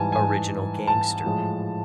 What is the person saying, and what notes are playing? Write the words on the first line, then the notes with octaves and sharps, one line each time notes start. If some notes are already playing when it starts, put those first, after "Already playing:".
Original Gangster.
Already playing: G#2 E3 G3 G#5 A5
G#5
A5
A2 F3 G#3